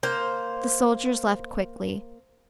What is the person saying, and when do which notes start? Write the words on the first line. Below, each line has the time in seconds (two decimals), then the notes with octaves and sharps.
The soldiers left quickly.
0.03 A#3 C5